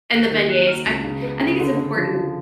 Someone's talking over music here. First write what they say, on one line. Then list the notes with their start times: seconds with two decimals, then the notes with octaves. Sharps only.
And the beignets. I I think it's important
0.13 D#2 F#6
0.31 D#3 G6
0.49 F#3 F#6
0.67 F#3 F6
0.86 C#2
1.04 C#3
1.22 B3
1.41 C#3
1.60 D3
1.77 D3
1.96 F3
2.14 F3